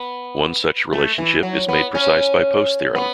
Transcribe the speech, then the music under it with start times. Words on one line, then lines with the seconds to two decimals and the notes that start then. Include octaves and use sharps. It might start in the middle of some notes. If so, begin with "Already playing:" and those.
One such relationship is made precise by Post's theorem.
Already playing: B3
0.93 A3
1.18 E3
1.43 F#3
1.69 B3
1.95 C#4
2.95 B3